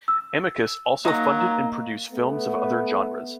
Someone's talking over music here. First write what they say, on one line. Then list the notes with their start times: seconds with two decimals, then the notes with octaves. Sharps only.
Amicus also funded and produced films of other genres.
0.08 E6
1.05 F#3 A#3 D#4 A#5
2.13 A3 B3